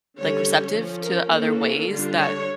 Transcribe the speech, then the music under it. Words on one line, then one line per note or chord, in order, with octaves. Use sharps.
like, receptive to other ways that
D3 G3 C#4 C#5
F3 C#4
A#4
E3 A#3 C#4 A4
D3 G3 D4 F4
C#5